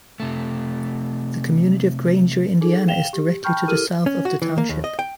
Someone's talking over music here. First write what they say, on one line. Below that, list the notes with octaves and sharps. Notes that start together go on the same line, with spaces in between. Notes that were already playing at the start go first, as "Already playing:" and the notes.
The community of Granger, Indiana, is directly to the south of the township.
C3 A3
D#4 G#4 A4
F5 G5 E7 F7 G7
G4
G5 A5 B5 C#6 F6 G6
E4 G4 A4 A#4 F6 D#7
C#4
F#4
E3
A#3
D#2
D#5
G5